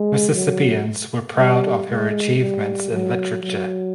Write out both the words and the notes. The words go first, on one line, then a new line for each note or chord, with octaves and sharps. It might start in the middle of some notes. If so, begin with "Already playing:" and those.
Mississippians were proud of her achievements in literature.
Already playing: G#3
F#3
G3
G#3
G3
F#3
F#3